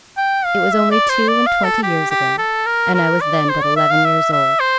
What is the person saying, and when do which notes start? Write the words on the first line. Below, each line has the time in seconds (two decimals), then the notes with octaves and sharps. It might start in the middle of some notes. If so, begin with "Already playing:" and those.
It was only two-and-twenty years ago, and I was then but eleven years old.
0.17 G5
0.45 F5
0.72 E5
0.91 D5
1.09 C5
1.28 D5
1.46 F5
1.64 A4
1.83 G4
2.10 G4
2.38 A4
2.66 A#4
2.94 A#4
3.21 D5
3.49 C5
3.63 D5
3.76 E5
3.91 F5
4.05 E5
4.32 E5
4.60 C5